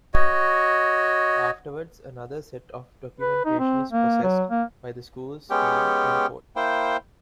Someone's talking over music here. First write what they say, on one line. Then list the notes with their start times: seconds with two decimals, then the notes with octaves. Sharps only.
Afterwards, another set of documentation is processed by the school's team and coach.
0.14 F#4 C#5 D#5
3.20 B4
3.45 D#4
3.59 C4
3.92 A#3
4.23 F#3
4.50 A#3
5.50 G#3 B3 C#4 G4 G5
6.56 A#3 E4 C5 G5